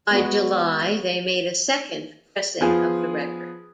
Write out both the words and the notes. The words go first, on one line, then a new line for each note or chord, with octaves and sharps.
By July, they made a second pressing of the record.
G#3 B3 F#4
F3 B3 F4 G#4